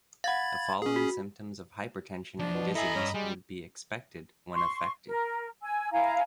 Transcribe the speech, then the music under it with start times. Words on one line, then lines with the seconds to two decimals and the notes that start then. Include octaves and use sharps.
The following symptoms of hypertension and dizziness would be expected when affected.
0.24 F5 F#5 B5 G#6 A6
0.82 C#4 G#4
0.96 F#4
2.39 F3 D4
2.54 B2
2.75 E4 A4 D#5 G#5 A#5 B5
2.95 G2 C#4
3.14 G3 G#3
4.54 C6 C#6
5.06 A#4
5.62 G#5 E6
5.92 E4 F5 G#5 A#5